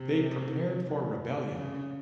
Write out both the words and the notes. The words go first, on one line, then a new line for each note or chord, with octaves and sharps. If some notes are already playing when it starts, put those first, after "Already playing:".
They prepared for rebellion.
Already playing: C3
C#3